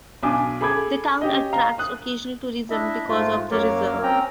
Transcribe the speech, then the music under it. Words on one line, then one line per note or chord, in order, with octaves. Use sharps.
The town attracts occasional tourism because of the reserve.
B1 D4 G#5 D6
G#4 A4 B5 D6 G#6
C#4 G4 D#5
F5 A#5
D#6 F#6
D4 E4 D#5 E5
G#2 A3 F4
F#2 F#3 A#3 A#4 C#5 D6
C4 C#4 G5 A#5